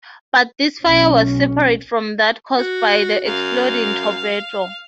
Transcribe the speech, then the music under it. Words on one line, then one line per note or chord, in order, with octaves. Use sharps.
But this fire was separate from that caused by the exploding torpedo.
B1 C#4
F#4
F#2 F5